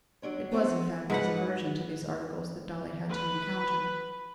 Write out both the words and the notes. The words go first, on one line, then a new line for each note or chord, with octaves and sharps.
It was, in fact, his aversion to these articles that Dolly had to encounter.
F#3 D4 C#5
B3 C4 C5
G#2 B4 F#5
B4